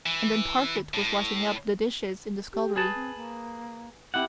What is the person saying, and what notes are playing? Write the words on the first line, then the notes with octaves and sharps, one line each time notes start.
And then Parfit was washing up the dishes in the scullery.
E3
A2
G4
G#4 B4 A5
C4
A#3
C4 E4 G4 F#5